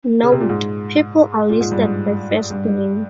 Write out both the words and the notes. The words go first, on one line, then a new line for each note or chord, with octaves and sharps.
Note: People are listed by first name.
C#3
C3
A#2
G#2
A#2
G#2
G2
G#2
G2